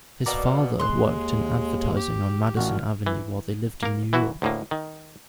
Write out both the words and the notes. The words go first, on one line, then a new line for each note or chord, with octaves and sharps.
His father worked in advertising on Madison Avenue while they lived in New York.
B2 A#3 B3 D5 A#5
D#2 G#3 C6 F#6
G4
A1 A#2 F#4 F5
E3
A#3 A#4
E3 E4 F#4
D2 A2 A#3
D#3